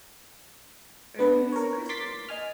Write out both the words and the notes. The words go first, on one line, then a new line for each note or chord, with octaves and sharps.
Erving is a Christian.
B3 D4 B4
A#4 C#5
C6 D6 A6 B6
D#5 G#5 F6